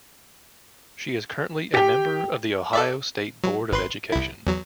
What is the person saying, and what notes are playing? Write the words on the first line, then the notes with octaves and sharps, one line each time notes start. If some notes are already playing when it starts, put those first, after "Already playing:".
She is currently a member of the Ohio State Board of Education.
G4 G5
A4 D5 E5
F#3
G#1 B4 C6
C2 E4
E2 F#3